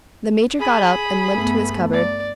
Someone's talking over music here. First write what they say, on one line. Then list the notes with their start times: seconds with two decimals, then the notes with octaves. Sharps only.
The Major got up and limped to his cupboard.
0.60 G#4 B5
1.32 G2 A3 B3
1.93 D5